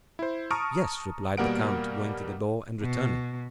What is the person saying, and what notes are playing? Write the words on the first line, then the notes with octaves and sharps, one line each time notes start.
"Yes," replied the count, going to the door, and returning.
E4 C5
A5 A#5 C#6 D#6 F6 D7
B2 G3 A#3 A#4 F#5 D7
B2